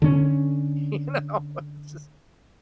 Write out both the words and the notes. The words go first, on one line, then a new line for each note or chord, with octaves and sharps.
You know? It's just
D3 C#4